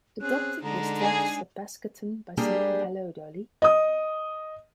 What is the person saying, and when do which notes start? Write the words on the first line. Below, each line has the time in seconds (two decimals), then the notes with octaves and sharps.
The Doctor distracts a Pescaton by singing Hello, Dolly!
0.21 C4 C#4 G#4 F#6
0.63 D3 G#3 D4 D#4 A#5
1.01 G#4
2.37 G3 A#3 D4 G4 G#4
3.62 D#5 D#6